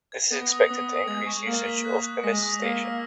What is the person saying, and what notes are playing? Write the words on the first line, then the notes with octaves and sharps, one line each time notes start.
This is expected to increase usage of Pimisi station.
G#6
B3 A#6
D#6
B3 D#6
D#6
G#3 G#6
C#6
A#3 F#7
B6
F#6
F#6
G#3 A#6
D#6
A#3 E6
E6